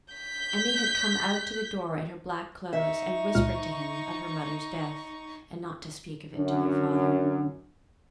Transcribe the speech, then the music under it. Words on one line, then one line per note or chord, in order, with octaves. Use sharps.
Emmy had come out to the door in her black clothes and whispered to him of her mother's death, and not to speak of it to their father.
G6 B6
D#4 E5 C#6
C#2 A#2 F6
F#2 D3 D4